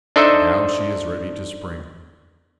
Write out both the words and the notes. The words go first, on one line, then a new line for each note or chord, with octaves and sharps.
Now she is ready to spring.
D4 D#4 A4 C5 D#5 E5